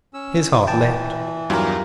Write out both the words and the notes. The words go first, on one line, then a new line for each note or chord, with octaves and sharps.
His heart leapt.
C#4 E6
E3 G5 A5
E2 G2 F#3 F4 G4 A#4